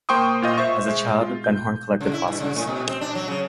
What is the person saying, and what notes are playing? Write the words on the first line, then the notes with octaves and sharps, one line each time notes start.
As a child, Van Horne collected fossils.
A#3 C5 G5 C6 C#6 D#6
A#2 F4 D#5 G6
C5 E5 C#6
G#3
F4
G6
C#3
E4
G2
C#3
A2
B2
C4
D4
F#3
C#3